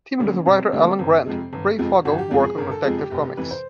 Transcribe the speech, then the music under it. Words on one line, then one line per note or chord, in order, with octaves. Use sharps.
Teamed with writer Alan Grant, Breyfogle worked on "Detective Comics".
D2 D3 G3 A#3 C#4
E1 C4
D2 D3 G3 A#3
G1
F2 C3 F3 G#3
G1
F2 C3 F3 G#3
G1 F#4
G4
F2 C3 F3 G#3 G#4
G#4
G1 A#4
A4
F2 C3 F3 G#3 G#4
G4
F1 G4
G4
F2 C3 E3 B4
C5